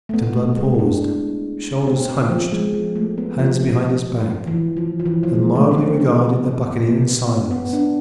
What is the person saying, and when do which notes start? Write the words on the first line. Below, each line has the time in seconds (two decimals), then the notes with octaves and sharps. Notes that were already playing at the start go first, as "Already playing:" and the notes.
Captain Blood paused, shoulders hunched, hands behind his back, and mildly regarded the buccaneer in silence.
0.09 A3
0.14 B3
0.36 A3
0.57 G#3
0.74 E4
0.79 D4
1.87 C4
2.00 B3
2.09 C4
2.31 F3
2.52 G#3
2.74 F3
2.95 A3
3.18 B3
3.39 F3
4.47 E3
4.77 F3
5.00 F3
5.06 E3
5.23 F3
5.34 G#3
5.55 A3
5.71 C4
5.77 B3
6.00 B3
7.07 B3
7.51 B3
7.73 D4